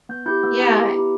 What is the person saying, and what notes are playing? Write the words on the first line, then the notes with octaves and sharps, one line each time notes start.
Yeah, eh
B3 G6
E4 G4 G6
B3 E6
E4 G4 A#5
B3
E4 G4